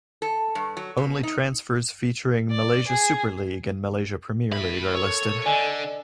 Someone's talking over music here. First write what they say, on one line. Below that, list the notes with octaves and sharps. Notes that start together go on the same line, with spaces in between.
Only transfers featuring Malaysia Super League and Malaysia Premier League are listed.
A4
G2
F#3
B2
D#4
D5
G#4
A2 E5 B5
A4 A#4 C#5 C#6
D3 D5 D#5 G#5